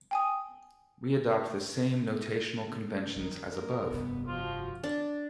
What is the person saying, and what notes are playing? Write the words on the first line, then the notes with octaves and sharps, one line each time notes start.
We adopt the same notational conventions as above.
G5 G#5 D#6
D#3 F3 G3
A#3 A#4
F1 G2 B3
F3 F4 F#4
D4